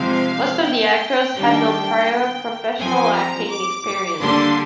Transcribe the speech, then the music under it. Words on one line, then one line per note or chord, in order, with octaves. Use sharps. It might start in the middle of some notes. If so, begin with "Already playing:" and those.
Most of the actors had no prior professional acting experience.
Already playing: C3 F3 G#3 C4 F5
G5
D#3 G3 D4
F3 C4 G#5
A#5
D6
D3 G3 A#3 D4 C6